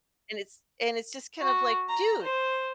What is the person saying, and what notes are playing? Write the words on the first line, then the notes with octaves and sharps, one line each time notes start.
And it's and it's just kind of like, "Dude,
F#4
A#5
C5